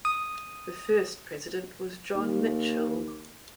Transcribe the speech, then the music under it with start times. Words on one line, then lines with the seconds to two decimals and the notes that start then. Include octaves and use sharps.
The first president was John Mitchell.
0.05 D#6
2.16 D#2